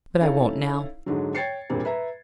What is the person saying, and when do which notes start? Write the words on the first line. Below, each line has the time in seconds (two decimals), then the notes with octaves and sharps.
But I won't now.
0.21 C#4 D#4 E4 A4 F5
1.06 G#2 D3 F#3
1.35 C#5 G5 G#6 A6 C7 C#7
1.70 E2 G2 A#2 G3 A#3 C4
1.85 B4 E5 A#5